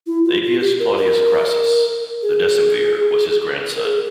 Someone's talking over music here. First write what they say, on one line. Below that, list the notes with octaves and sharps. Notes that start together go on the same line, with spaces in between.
Appius Claudius Crassus, the decemvir, was his grandson.
E4
F4
F4
G4
A#4
A#4
G#4
A#4
G#4